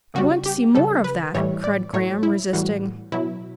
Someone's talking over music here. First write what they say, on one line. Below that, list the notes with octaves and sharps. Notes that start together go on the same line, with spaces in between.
"I want to see more of that," cried Graham, resisting.
C#3 G3 F#4
G4
C#3 G3 A4
B4
A2 E3 G3 C#5
D5
A2 F#3 C#5
E4
A2 E3 G3 F#4
B2 F#3 E4